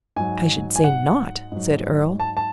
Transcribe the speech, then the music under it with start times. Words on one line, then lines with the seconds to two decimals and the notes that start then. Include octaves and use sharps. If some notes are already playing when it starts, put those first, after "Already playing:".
"I should say not," said Earle.
0.16 G#2 F#3 G#5
0.76 G#5
0.84 F#5
1.52 G#2 F#3
2.20 A5
2.37 A5